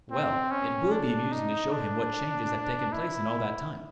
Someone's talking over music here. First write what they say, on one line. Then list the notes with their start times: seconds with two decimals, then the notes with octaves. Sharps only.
Well, it will be amusing to show him what changes have taken place in all that time.
0.11 C4
0.51 C#4
0.91 D4
1.32 D#4
1.72 D4
2.92 E4